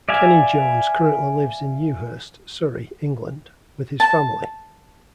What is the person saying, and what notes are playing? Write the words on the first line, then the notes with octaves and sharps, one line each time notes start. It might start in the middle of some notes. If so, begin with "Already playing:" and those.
Kenney Jones currently lives in Ewhurst, Surrey, England, with his family.
D5 E5 F5 G#5
A5